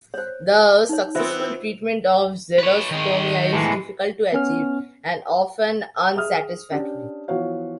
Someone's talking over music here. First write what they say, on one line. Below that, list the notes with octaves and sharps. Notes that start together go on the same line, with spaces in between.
The successful treatment of xerostomia is difficult to achieve and often unsatisfactory.
C5 C#5
D#4 C#5
E3 B3 C4 F4 C5 E5
C5
B4 C#5
D#3 G#4
A2 E3 G#3
B3 C#4 F6
G#4 E5 D#6 F6
C#4 D4 G4
E3 F3 B3 F#4 C#5 F5